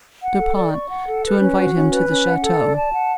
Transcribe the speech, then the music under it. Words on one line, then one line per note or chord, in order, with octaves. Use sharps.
Du Pont to invite him to the chateau.
F#5
A4
D5
C#6
F#5
A4
B4
C#4
F#4
C#4
B4
C#4
F#5
A4
D5
A5
F#5